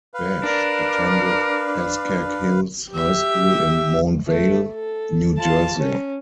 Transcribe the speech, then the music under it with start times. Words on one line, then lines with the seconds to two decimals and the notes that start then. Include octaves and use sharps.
Bash attended Pascack Hills High School in Montvale, New Jersey.
0.14 B4 F5
0.43 D4 A#4
2.91 G4 E5
4.27 A3
4.73 A4
5.38 F4 A5
5.79 C#4